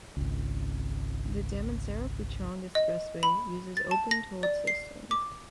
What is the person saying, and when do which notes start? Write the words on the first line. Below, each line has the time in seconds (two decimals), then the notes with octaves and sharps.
The Damansara-Puchong Expressway uses opened toll systems.
0.17 G#1 C#2
2.75 D#5
3.23 B5
3.77 A6
3.91 A5
4.11 A#6
4.43 D5
4.67 C7
5.11 D6